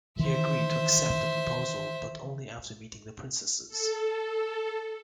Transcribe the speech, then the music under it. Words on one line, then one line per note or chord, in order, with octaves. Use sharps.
He agreed to accept the proposal, but only after meeting the princesses.
D#3 E3 C5 E5
A4